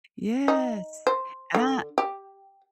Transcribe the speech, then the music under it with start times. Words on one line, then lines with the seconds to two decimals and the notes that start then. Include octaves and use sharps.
Yes, and I
0.48 D#4
1.07 C5
1.55 D3
1.98 G4